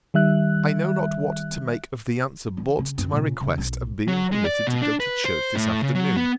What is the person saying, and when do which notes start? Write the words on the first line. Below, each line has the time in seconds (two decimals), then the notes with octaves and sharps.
I know not what to make of the answer brought to my request of being permitted to go to church this afternoon.
0.14 D#3 G3 E5 F#6
2.57 E3
2.78 C#3
2.98 F#2 C4
3.12 A#2 C#3
3.41 C#3
3.58 B1
4.08 F#3
4.32 G#3
4.44 D5
4.67 B2
4.81 D4
5.00 B4
5.25 C5
5.55 A2
5.82 C#3
5.95 F#3
6.17 B3